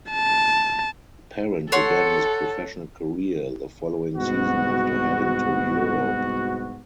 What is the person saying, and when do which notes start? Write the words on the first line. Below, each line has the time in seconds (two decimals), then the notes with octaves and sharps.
Parent began his professional career the following season after heading to Europe.
0.11 A5
1.72 A4 C#5 F#5 C6
4.15 C2 G#2 B3 F#4